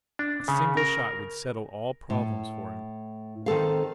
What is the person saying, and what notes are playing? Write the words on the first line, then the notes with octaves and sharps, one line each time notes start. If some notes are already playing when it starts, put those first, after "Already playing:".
A single shot would settle all problems for him....
D4
C#3
A#4
A2
D#3 C4 A4 F5